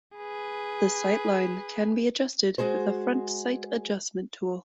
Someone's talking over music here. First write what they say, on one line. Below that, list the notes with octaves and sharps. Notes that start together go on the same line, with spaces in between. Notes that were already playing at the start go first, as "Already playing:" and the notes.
The sight line can be adjusted with a front sight adjustment tool.
G#4 B4
G#3 F#4 G#4 C5